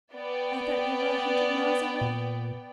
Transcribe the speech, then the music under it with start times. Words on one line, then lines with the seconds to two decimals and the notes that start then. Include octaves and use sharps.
I thought you were a hundred miles away.
0.15 B3 D5 G5
2.01 A#2